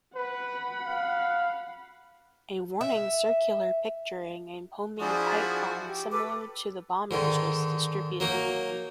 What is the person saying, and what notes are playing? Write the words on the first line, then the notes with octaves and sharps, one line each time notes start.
A warning circular picturing a homemade pipe bomb similar to the bomber's was distributed.
B4 F#5 B5
F5
E5
F3 D4 E4 F#4 G#4 D#6
G4
A4 B4 D6
G#2 D3 D#3
F#3 A#3 D#4